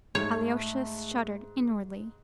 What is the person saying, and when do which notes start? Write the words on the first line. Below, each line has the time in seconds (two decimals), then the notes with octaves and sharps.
Alyosha shuddered inwardly.
0.15 G#2 A3 C#5